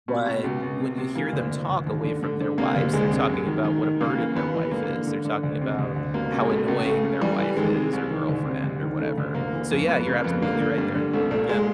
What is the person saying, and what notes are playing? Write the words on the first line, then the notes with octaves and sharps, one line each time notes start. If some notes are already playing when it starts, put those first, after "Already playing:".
But, when you hear them talk away from their wives, they're talking about what a burden their wife is. They're talking about how annoying their wife is or girlfriend or whatever. So, yeah, you're absolutely right there. Yeah.
B2
B2
C#2
C#2
C3
C3
E3 A#3
D2
D2
D2
D#2
D3
D3
D3
C3 A#3
D2
D2 G#3
C3
F#2
D#3
D#3
D#3
C#3 A#3
E3
D#2 B3
E3
D3 A#3
D3
D3
D3
D2
C3
D2
D2
B2 A#3
C#2
G#3
B2 A3
C#2
C#3 A3
C#3
E3 G3
E3
D#3 G#3
C3
C2
D#3
D2
C3
D2
D#3
C#3 A3
D2
D2 A#3
E3
F2
F2 B3
C#3 A#3
F2 B3
D3 A#3
D3
G2
D3
C2 A3
A#2 A3
A#2 G#3